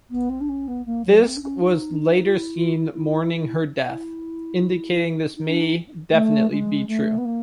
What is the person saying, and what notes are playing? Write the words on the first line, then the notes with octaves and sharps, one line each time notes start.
Fisk was later seen mourning her death, indicating this may definitely be true.
B3
C4
D4
C#4
B3
A#3
F#3
C4
D4
C#4
D#4
D4
D#4
F4
E4
F4
E4
E4
E4
D#4
D4
D#4
A#3
A3
G#3
A3
B3
A#3